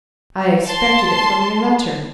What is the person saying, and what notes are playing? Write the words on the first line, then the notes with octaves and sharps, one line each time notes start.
"I expected it from your letter."
A5 C6